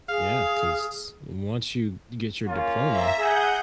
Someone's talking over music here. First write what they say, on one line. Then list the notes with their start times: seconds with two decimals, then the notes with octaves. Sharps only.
Yeah, 'cause once you ge get your diploma,
0.09 G#4 F5
2.47 A#3 C#4 F4
2.88 E5 A#5
3.19 G#4 F#5 G6